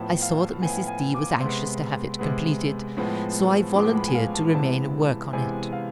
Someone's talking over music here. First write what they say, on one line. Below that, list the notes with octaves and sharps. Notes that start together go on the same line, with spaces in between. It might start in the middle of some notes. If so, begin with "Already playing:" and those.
I saw that Mrs. D. was anxious to have it completed, so I volunteered to remain and work on it.
Already playing: A2 F3 B3 A5
F5
A2 F3 B3 G#5
G#5
D6
C3 G#3 B3 C6
C3 G#3 B3
A2 F3 G#3 B3
A2 F3 G#3 B3 D6
B5
G#5
F5
A5
C3 E3 G#3 B3 A5
C3 E3 G#3 B3 G#5
F5